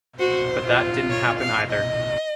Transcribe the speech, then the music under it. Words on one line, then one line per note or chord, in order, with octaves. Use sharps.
But that didn't happen either.
F#4 C5
F4
C#5
F5
D#5